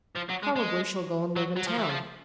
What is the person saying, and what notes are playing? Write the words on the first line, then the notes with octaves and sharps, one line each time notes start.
Probably she'll go and live in town.
F3
F#3
G#3
G#3
F#3
F#3
F3
E3
F3